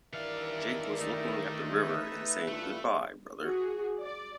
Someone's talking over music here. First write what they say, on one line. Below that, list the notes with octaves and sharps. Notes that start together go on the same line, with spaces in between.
Jake was looking at the river and saying Goodbye, brother.
G2 D#3 E3 A#4 D5 E5 F5
A3 D#4
B4 E5
G2 E3 A3 F4
F#4 G#4
D5